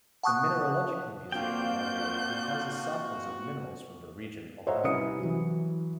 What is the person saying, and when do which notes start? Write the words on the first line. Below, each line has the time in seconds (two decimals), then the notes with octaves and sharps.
The Mineralogical Museum of Lavrion comprises samples of minerals from the region of Lavrion.
0.23 F#5 A5 C#6 D#6 F#6
1.32 A#3 C4 D4 F4 F#4 G5 G6
4.67 C5 C#5 D#5 E5 F#5 A#5
4.84 C2 C#4 B4 D#6 C#7
5.20 E3 F#3